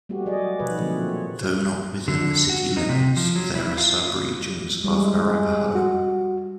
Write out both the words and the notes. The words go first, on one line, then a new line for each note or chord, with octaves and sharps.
Though not within the city limits, there are sub-regions of Arapahoe.
G3 A3 B3 F#4 G4
F#3 G#4 D5 D#5
B2 D#3 F3 B4 C#5
A#2 D3 F3 F#3 A3 C4
C#5
D3
F#4
D#4
C3
F3
F#3
E4
F4
G3 G#3
F#4